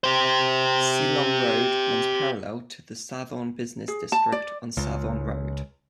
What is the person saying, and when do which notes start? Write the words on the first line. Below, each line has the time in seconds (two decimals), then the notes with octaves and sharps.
Silom Road runs parallel to the Sathorn business district on Sathon Road.
0.04 G4 C5
3.88 G#4
4.12 A5
4.32 D5
4.77 C#2